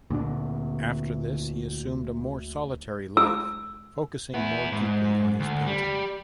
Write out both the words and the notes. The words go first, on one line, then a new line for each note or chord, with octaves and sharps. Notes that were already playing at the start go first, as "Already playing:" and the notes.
After this, he assumed a more solitary life, focusing more deeply on his painting.
D2 A#2 D3 D4
E6
B3 E4
G#2
D2
G3